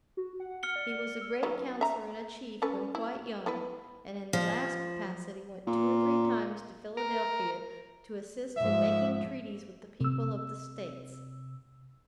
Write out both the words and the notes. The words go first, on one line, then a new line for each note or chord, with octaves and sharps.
He was a great Counsellor and a Chief when quite young; and in the last capacity, went two or three times to Philadelphia to assist in making treaties with the people of the states.
F#4
F#5
F6 C#7 G7
D5
E6
D#3 F#3 B4
E5 A#5
C#4 A4 B4
E4
B3 E4 B4
F3
A#2
A#4
G#2 F3 E5
C3 E6